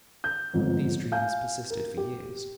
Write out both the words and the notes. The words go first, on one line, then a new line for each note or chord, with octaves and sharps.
These dreams persisted for years.
G6
G1 F2 G#2
F5 G#5 G6
A#4
G4